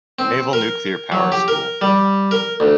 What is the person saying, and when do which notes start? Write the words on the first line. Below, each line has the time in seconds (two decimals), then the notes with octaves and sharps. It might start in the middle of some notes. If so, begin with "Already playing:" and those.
Naval Nuclear Power School.
0.19 C4
0.53 A#4
1.12 F#3
1.32 G4
1.48 A#4
1.81 G3
2.31 A#4
2.60 D2